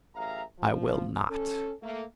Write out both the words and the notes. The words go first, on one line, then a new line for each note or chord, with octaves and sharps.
"I will not."
A1 F#3 G#4 E5 F5 A#5
F3
C#4 A4
A3 A#3